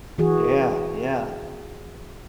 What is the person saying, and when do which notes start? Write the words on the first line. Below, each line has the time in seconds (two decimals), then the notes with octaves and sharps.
Yeah, yeah,
0.18 E3 F#4 G#4